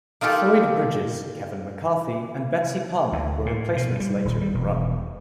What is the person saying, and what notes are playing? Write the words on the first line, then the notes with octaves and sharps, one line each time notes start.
Lloyd Bridges, Kevin McCarthy, and Betsy Palmer were replacements later in the run.
A#3 D#4 F4 G4 A4
D2
A2
B2
G3
D#1
G3
E1